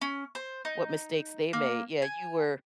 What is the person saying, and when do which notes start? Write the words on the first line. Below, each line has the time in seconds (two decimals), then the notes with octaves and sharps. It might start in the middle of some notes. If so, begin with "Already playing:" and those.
what mistakes they made yeah, you were
0.01 C#4
0.35 C5
0.65 D#4
1.53 A#3
2.02 G#5